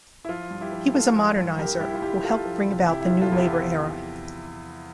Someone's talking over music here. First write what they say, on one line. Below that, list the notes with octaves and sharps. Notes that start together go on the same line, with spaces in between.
He was a moderniser who helped bring about the New Labour era.
E4
F3 F4
G2
E4 G4
F3
F3 F4 A4
F3
G2
C2 G4 A#4
C2 E4 G4
F4
C2 E4 G4
C2 F4 A4
F3
C3
C3 E4 G4
E4
F4
F3
F4 A4
E2
E4 G4